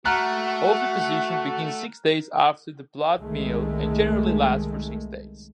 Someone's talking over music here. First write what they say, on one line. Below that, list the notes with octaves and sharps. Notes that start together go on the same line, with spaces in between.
Oviposition begins six days after the blood meal and generally lasts for six days.
A3 F#4 F#5 A#5 F6 F#6
C2 D#3 G#3 A3